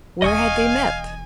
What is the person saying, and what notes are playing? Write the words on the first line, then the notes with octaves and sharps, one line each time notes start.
Where had they met?
E1 E3 D#5 F5 G#5 C#6 D#6